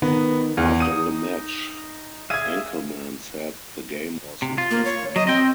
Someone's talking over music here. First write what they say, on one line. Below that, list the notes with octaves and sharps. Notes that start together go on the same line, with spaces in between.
After the match, Enckelman said the game was his best match.
D#3 B3
E2 F5 G#5
D#4 D#6 D#7
G#4 E5 F5 G#6 D#7
C3
F4
A#3
C#5
F#3 D#5
C4 D#5 G5